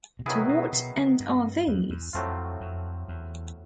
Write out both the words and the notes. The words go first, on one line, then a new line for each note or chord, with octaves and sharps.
To what end are these?
B2
C3 D#3 F#3 B3 E4 G#4
B2
B2
C#3
G2
E2
E2
F2 A2 F#3 A3 C4 F4
F2
E2